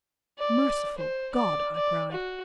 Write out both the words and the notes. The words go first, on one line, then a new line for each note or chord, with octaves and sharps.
"Merciful God!" I cried.
D5
C5
D5
D5
F#4